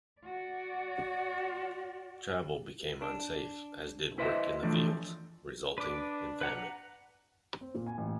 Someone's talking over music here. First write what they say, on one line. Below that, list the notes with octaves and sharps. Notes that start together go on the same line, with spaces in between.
Travel became unsafe, as did work in the fields, resulting in famine.
F#4 D5
D4
E4 B4 C5 D#5 E5
E3 F3 A3 D4
D4 B4 D6
B4 F#5 A#5
C4
A#2
G#5
A1